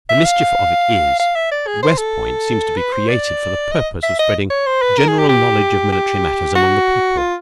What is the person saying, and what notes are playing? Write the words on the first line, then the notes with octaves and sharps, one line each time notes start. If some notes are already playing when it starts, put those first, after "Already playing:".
The mischief of it is that West Point seems to be created for the purpose of spreading a general knowledge of military matters among the people.
E5
F5
F5
E5
D5
G#4
C5
A4
B4
C5
D5
D#5
E5
D#5
C#5
C5
B4
A#4
G#4
G4
G4
G4
F#4
F4